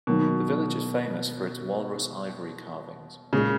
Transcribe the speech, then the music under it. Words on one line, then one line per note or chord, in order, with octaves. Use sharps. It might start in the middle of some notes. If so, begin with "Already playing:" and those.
The village is famous for its walrus ivory carvings.
B2 D#3 F#3 A#3
A#2 C#3 G#3 C#4